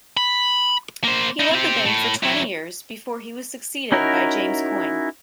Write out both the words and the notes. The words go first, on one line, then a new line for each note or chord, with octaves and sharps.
He led the bank for twenty years before he was succeeded by James Coyne.
B5
A#3 C5
D#4 E4
C4 G4
A2
F#3 E4
C#4 D#4 E4 F#4 A#4